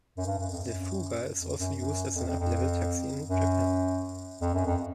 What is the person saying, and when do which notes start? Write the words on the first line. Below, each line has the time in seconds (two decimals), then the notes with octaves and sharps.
The Fuga is also used as an uplevel taxi in Japan.
0.17 F#2
0.27 G2
0.39 F#2
0.51 F2
0.64 F#2
1.40 F2
1.58 F#2
1.77 F#2
2.15 F2
2.28 F2
2.40 F2
3.28 F#2
4.41 F2
4.54 F#2
4.66 F2